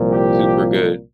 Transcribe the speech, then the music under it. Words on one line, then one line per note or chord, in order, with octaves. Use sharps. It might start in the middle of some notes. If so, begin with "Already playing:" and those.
super good.
Already playing: C2 A#2 F3
G4